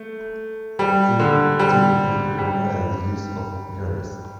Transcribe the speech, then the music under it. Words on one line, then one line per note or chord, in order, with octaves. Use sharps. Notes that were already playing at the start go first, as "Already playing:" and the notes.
They typically require the use of gerbes.
Already playing: A3
G3
D3
G3
G3